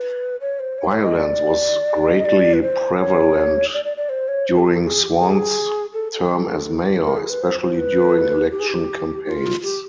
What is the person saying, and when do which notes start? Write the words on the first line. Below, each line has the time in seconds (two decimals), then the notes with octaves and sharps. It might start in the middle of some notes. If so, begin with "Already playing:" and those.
Violence was greatly prevalent during Swann's term as mayor, especially during election campaigns.
Already playing: B4
0.41 C#5
0.59 C5
0.78 C#5
0.90 C#5
1.03 D#5
1.15 D5
2.17 D#5
2.25 D5
2.54 B4
2.62 C5
2.99 C#5
3.73 D5
3.85 D5
3.97 D5
4.09 C5
4.28 C#5
4.46 C5
4.58 G4
4.71 A4
4.83 G#4
5.02 G4
5.20 G#4
5.93 A4
6.12 A4
7.04 A#4
7.17 G#4
7.29 B4
7.42 C5
7.60 C5
7.78 B4
8.51 G4
8.60 G#4
8.68 G4
9.25 G4
9.29 F4
9.63 G4